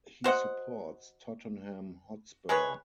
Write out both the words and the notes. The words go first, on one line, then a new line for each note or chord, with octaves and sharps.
He supports Tottenham Hotspur.
F#4 C5 D#5 F#5
G#3 G#4 B4 C#5